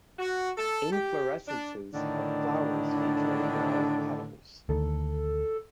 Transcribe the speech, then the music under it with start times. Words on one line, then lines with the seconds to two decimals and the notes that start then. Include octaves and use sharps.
Inflorescences have flowers featuring mauve petals.
0.19 F#4
0.58 A4
0.92 G4
1.47 D4
1.93 A2 D3 D#3 D4
4.69 D2 D#3 A4